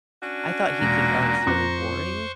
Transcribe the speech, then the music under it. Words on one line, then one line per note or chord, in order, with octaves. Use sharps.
I thought he'd think, "Oh, this is really boring."
C#4 D4 F#4
E1 A#2 A#5
F2 C5 C#6 D6 F#6